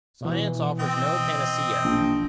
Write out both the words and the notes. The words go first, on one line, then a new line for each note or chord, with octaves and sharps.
Science offers no panacea.
B2 E3
C4 D#5 G5
A#1